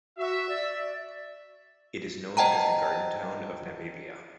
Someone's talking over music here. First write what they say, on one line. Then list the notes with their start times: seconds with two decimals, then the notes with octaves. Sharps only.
It is known as the "Garden Town of Namibia".
0.18 F#4 E5
0.49 D5
2.37 C5 D#5 F#5 G5 A5 A#5